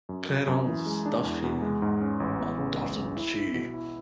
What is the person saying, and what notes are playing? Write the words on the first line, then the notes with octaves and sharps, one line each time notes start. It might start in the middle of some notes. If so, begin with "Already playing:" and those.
Clairol's Does she...or doesn't she?
F#2
F#2
F#2
E3
G#3
D4
E2
E2
G#3
G#2
C#4
A1
B3
C#3
C#2
B3
E4
E4
B2
E4